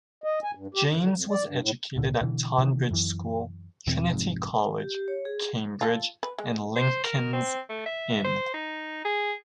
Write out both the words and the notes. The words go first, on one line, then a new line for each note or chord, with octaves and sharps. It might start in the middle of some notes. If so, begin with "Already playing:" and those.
James was educated at Tonbridge School, Trinity College, Cambridge and Lincoln's Inn.
D#5
G#5
G2
G4
F#2
D3
F2
D5
G2
A2
C#2 A#2 D3
B2 D3 E3
C3 D#3 E3
F#2 E3
E2 B2 E3 C4
F1 F2 G#2
G4
G4
C#5
G#4
F4 A4
B4
G#3
C5
A#4
C4
A3
E5
C5
D#4
G#4